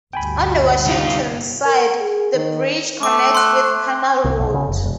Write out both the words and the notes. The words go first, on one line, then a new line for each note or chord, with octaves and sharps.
On the Washington side, the bridge connects with Canal Road.
G1 D2 G3 G5 G#5 B5
C2 D#4 F4 G4
A#4
G#4
D#3
A3 D6
C6 F#6
C2
B1
C#3
F1
E1